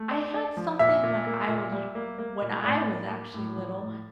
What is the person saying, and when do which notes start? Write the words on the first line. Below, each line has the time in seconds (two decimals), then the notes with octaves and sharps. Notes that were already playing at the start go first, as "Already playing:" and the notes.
I had something when I was w when I was actually little.
Already playing: A3
0.11 D4
0.34 D4
0.57 F3
0.79 A#2 E5
1.03 A#2
1.26 A#3
1.48 A#2
1.72 G3
1.95 A#3
2.18 A#3
2.42 A#2
2.64 A2 D5
2.88 A#3
3.10 A#3
3.34 A2
3.56 F3
3.80 A2